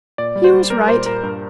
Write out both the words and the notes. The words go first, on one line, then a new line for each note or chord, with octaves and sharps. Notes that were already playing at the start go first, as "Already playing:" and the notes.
He was right.
A#2 D5
G3
C5
G3
G3 A#4
A#2 C5
A#2 A#4
G2 A#4